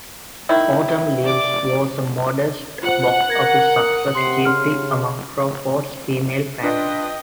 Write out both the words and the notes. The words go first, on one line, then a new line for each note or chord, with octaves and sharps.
"Autumn Leaves" was a modest box-office success, chiefly among Crawford's female fans.
D#3 E4
D5 D6
F4 C5 F#5
A#4 G#6 A#6
D#6
C3 C6 C7
C#3 G4 C6 F6
D4 F4 B4 D#5 G5